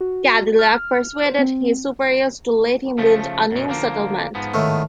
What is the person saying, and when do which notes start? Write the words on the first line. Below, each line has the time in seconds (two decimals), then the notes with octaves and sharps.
Cadillac persuaded his superiors to let him build a new settlement.
0.01 F#4
0.59 F6
1.25 C5
1.39 C4
2.98 C#3 F3 A3
3.51 F#2 B2
3.68 D3 F3 A#3
4.35 G#2 F3 B3
4.54 A2 D#3 A3